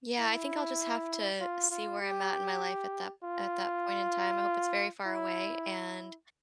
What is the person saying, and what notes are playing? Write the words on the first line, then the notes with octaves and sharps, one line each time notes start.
Yeah, I think I'll just have to see where I'm at in my life at that at that point in time. I hope it's very far away and
E4
F4
F4
G4
F4
E4